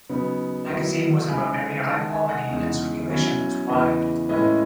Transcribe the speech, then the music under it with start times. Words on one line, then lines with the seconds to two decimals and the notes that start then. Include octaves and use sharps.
The magazine was of a very high quality and circulation was wide.
0.09 C#3 F#3 B3 D#4
0.70 D#3 F#3 B3 E4
1.29 C#3 G#3 D#4 G#5 B5
1.89 D#3 G#3 D#4 F#5 A5
2.09 E5 G#5
2.29 D#5 F#5
2.49 E2 C#3 E3 G#3 D#4
3.09 B2 F#3 C#4 E4
3.69 E2 C#3 E3 B4 D#5
4.29 A2 G#3 C#4 E4 B4 D#5